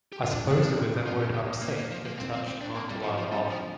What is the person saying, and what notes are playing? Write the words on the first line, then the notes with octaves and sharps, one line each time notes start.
I suppose it was that word "upset" that touched Aunt Dahlia off.
G4
F4
D4
F2
G2 D4
F2
G2
A#2
C3
F3 F4
G4
C3
G4
A#2
A#3
A#3
F3
A#3
C4
C4
C4
D4
F2 A#3
G3
F3
F3
G2 G3
F3